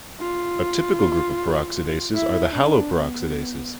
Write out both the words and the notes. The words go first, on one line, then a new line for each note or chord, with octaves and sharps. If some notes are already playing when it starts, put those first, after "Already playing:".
A typical group of peroxidases are the haloperoxidases.
F4
E4
D4
B3